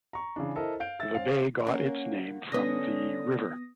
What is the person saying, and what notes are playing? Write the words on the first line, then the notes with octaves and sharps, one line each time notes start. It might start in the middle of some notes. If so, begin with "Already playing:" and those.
The bay got its name from the river.
A#5 C#6
C#3 E3 D4
E4 A4 A#4 C5 D#5
F5 G6 D7
E5 E6 A6
C#4 C5 F5
A#3 C#4 F#5
D3 B3 C#4 B4 D#6 A#6